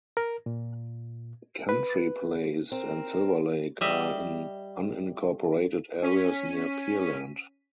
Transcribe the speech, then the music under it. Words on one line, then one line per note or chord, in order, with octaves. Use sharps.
Country Place and Silverlake are in unincorporated areas near Pearland.
A#4
A#2
B4
C4 A#4
G3 D#5 E5
C#4 B6 D#7